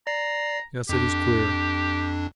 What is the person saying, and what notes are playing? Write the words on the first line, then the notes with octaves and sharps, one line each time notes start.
Yes, it is queer.
D5 A#5 C7
F2 D4 G4